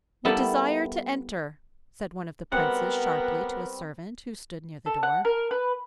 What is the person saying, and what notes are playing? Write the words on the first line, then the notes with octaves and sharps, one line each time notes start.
'We desire to enter,' said one of the princes sharply to a servant who stood near the door.
G3 A#3 B3 E4 G4 A4
G3 B3 C4 A#4 F#5
A4
F#5
A#4
B4